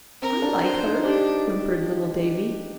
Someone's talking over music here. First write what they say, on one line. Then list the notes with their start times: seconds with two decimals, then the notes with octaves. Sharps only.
"I like her," whimpered little Davie.
0.22 C4 A#4
0.42 D4
0.63 C5
0.84 D#4
1.04 D4 G4